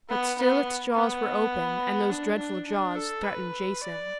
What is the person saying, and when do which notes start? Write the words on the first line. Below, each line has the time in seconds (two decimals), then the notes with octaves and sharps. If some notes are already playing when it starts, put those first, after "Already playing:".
But still its jaws were open, and those dreadful jaws threatened Jason.
0.09 B3
0.39 B3
0.95 B3
2.10 D4
2.38 D4
2.67 D4
2.96 A4
3.24 B4
3.81 D5